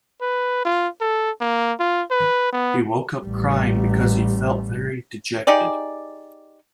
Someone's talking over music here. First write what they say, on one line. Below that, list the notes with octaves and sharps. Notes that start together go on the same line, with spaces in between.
He woke up crying because he felt very dejected.
B4
F4
A4
A#3
F4
B4
B3
A1 G3
D#4 G4 G#4 D5